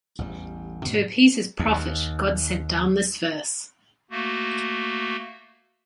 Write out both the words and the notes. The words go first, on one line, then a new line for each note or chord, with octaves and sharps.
To appease his prophet, God sent down this verse.
A1 E2 G3
G#2 B2 D3 B3
D#2
A3 A#3 F#4